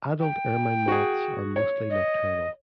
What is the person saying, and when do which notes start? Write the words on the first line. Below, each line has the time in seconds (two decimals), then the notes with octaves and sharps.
Adult ermine moths are mostly nocturnal.
0.20 G5
0.88 F#4 G#4
1.56 C#5
1.90 D#5